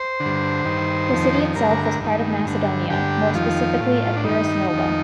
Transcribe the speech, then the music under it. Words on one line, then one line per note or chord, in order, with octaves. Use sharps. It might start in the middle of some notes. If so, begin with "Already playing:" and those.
The city itself was part of Macedonia, more specifically Epirus Nova.
Already playing: C5
D3
G2
G2 D#3
F2 D#3
G2 D3 A#4
A#4
A#4
G2 D#3
G2 D3
G2 D3 G4
F2 D#3 F4
A2
D4
G2 D#3 D#4
F2 D#3